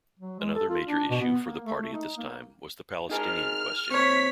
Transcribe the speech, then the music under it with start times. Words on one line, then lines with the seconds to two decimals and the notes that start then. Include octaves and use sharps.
Another major issue for the party at this time was the Palestinian Question.
0.19 F#3
0.39 G#3
0.54 A4
0.69 F4
0.86 D4
1.10 B2
1.21 B3
1.45 A#3
1.64 A3
1.80 A3
1.93 D#4
2.18 A#3
3.10 D#4 G#4 A#4 F6
3.91 D#2 C4 C#5 B6